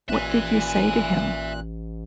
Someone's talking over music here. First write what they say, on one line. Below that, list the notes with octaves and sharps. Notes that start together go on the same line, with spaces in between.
What did you say to him?
A1 A#2 E5 G#5 F#6